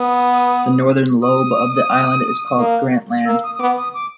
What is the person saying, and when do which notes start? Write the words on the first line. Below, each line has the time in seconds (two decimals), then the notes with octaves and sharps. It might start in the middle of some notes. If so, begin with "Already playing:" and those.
The northern lobe of the island is called Grant Land.
Already playing: B3 D#6
1.22 D#6
2.59 A#3
3.26 A#3 E6
3.43 D#6
3.55 D#6
3.60 B3 D6
3.77 D#6
3.94 D6